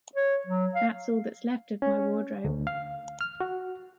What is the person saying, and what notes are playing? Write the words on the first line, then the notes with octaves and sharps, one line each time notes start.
That’s all that’s left of my wardrobe.
C#5
F#3
F5
C#4
D2
F5
F6
F#4